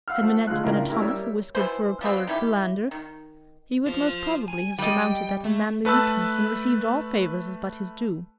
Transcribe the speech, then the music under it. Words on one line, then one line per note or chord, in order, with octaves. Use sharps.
Had Minette been a Thomas, a whiskered fur-collared Philander, he would most probably have surmounted that unmanly weakness, and received all favours as but his due.
F5 F#5 E6 F6
A3 F4 C5 F#5
D3 G#3 A3 F4 F5 F#6
A2 C#3 D4 F4 A#4
A#3 C#4 E4 G4 A#4
G3 A#3 C#5 D5 E5 E6
B2 E3 B4 C5
F3 G3 B3 C4
D#3 E4 G4
D#3
F4 C5
G#5
G3 D#5 G5
A3
A3 B4 A5 E6